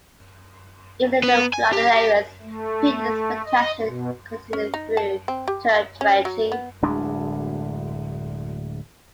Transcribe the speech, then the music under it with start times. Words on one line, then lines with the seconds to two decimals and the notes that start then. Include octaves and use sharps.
Even in flooded areas, peat extraction continued through turf dredging.
1.23 B3
1.53 G#5
1.72 G4
2.41 A3
3.45 D#5
3.85 B2
4.53 C#4
4.74 D#4
4.97 A5
5.28 C4
5.48 G4
6.01 C#4
6.25 F#3
6.52 B3
6.82 D1 D2 G#3 D4